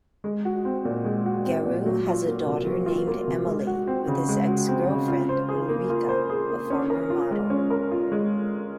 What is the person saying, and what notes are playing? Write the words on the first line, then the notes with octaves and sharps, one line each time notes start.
Garou has a daughter named Emelie, with his ex-girlfriend, Ulrika, a former model.
G#3
F#4
C4
A#2
G#3
F#4
C4
A#2
F#3
F4
A#3
C3
F#3
F4
A#3
C3
G#3
F#4
C4
C#3
G#3
F#4
C4
C#3
F4
C5
G#4
A#3
F4
C5
G#4
A#3
C#4
A#4
F4
G#3
C#4
A#4
F4
G#3